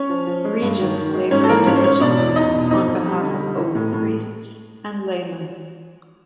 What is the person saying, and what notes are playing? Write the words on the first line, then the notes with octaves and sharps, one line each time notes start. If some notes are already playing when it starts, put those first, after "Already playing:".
Regis laboured diligently on behalf of both priests and laymen.
Already playing: C#4 C#5
F3
F3
G#3
G2
D#3
D#3
G#3
G#2 C#4 C#5
A4
E3 A#3 A#4
G#2 C#4 C#5
C5
G#2 C#4 C#5
B2 D4 D5
E2
E2 D#4 D#5
B2
F2 D#4 D#5
F2
G3
D3
G3
E3
A2
A2